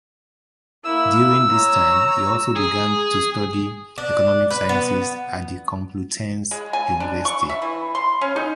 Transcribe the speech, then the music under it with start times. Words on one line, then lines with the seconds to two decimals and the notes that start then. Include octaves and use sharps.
During this time he also began to study economic sciences at the Complutense University.
0.85 A#3 E4 E6
1.50 C#5 A#5
2.56 G#4
3.98 D4
4.51 B4
4.69 B3
6.51 G#3
6.73 G#5
7.00 D4
7.25 C#6
7.50 E5
7.62 E3
7.95 C6
8.21 C#4
8.36 D#4